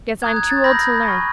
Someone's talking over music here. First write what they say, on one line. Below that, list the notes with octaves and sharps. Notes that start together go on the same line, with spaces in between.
Guess I'm too old to learn.
A#5 D#6 F#6 G#6
G#6
A6
B5 E6 G6 A#6
G#5 C#6 F6